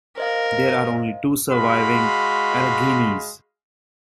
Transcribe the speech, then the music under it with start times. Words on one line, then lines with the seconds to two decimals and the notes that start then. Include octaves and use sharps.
There are only two surviving Alleghenies.
0.18 A#4 C5 D#5 F5
1.51 G#3 F#4 F5 B5 C6